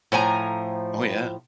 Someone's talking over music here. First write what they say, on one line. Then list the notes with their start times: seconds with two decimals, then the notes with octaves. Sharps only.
Oh, yeah.
0.12 A2 F3 G#5 A#5